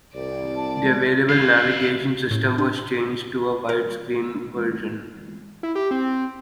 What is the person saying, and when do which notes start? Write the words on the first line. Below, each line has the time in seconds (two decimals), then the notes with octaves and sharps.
The available navigation system was changed to a wide screen version.
0.14 C2 D5
0.56 A5
1.29 E4 F5
2.31 A2
2.58 D4
3.69 A#4
5.63 E4
5.75 G4
5.91 C4